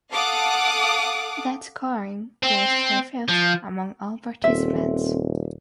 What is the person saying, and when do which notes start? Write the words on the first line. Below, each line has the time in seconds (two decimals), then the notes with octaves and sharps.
That scoring placed her fifth among all participants.
0.12 A4 F5 F#5 D6 D#6
2.43 C4
3.29 F3
4.44 D#1 C4 A4 E5